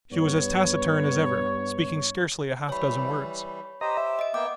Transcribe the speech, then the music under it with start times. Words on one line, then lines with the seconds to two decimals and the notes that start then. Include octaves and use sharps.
She was as taciturn as ever, speaking scarcely a half-dozen words.
0.13 G2 B3 C#5
2.69 E3 G3 C#5 B5
3.81 G4 C5 D#5 A#5
3.97 E5
4.19 D#5 D7
4.34 A#3 B3 G5 D6